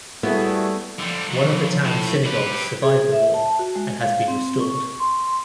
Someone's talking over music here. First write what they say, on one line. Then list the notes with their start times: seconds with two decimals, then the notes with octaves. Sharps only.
One of the town's synagogues survived the war and has been restored.
0.23 G3 A3 B3 E4 F#4 G#4
0.99 D3 F3 G3
1.31 E3 F#3
1.85 A2
2.26 G4 B4
2.82 G#4
3.12 E5
3.34 A5
3.59 F#4
3.76 G#3
4.00 F5
4.28 C4
4.61 C#6
5.00 C6